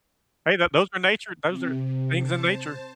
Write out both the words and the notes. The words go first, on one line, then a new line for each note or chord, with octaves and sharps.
Hey, that those are nature those are things in nature.
C3
C5 A5